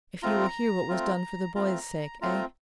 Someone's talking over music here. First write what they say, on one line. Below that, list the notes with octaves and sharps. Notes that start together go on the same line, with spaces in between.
"If you will hear what was done for the boy's sake--eh?"
A3 C4 F4 A#5
A3 C4 F4
A3 C4 F4 A#5
A3 C4 F4 A#5